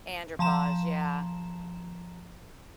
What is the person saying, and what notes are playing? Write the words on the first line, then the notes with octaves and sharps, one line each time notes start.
Andropause, yeah.
F3 A5 A#5 E7